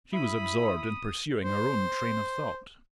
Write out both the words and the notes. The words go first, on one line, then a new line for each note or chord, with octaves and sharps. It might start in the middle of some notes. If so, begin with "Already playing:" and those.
She was absorbed in pursuing her own train of thought.
E4 B5 D#6
C5